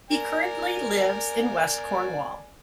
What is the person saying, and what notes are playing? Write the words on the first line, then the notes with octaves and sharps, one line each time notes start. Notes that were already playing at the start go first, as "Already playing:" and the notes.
He currently lives in West Cornwall.
A#4 D5 G#5